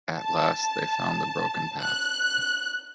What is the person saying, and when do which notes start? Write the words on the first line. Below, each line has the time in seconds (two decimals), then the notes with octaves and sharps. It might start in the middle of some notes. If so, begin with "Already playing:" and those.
At last they found the broken path.
0.17 A5
1.80 F#6